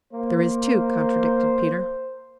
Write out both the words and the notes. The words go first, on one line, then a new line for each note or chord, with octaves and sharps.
"There is too," contradicted Peter.
A#3 C5